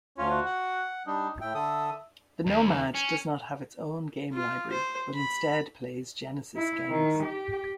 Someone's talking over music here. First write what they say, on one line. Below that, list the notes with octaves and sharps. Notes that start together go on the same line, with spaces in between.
The Nomad does not have its own game library, but instead plays Genesis games.
D2 C#4 F4
F#4
F#5
G3 D4 D#4
A2 E5 G5
D3 A4 D#6
D#2
C#4
F4
C5
B5
E4
D#3
G4